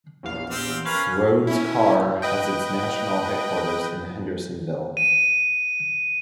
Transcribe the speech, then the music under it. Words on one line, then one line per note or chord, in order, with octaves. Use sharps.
Rhoades Car has its national headquarters in Hendersonville.
A#1 E2 F5
C4 G4
C#4 A#4 B4 F5
C#4 E4
B4 D#5 G5
D#7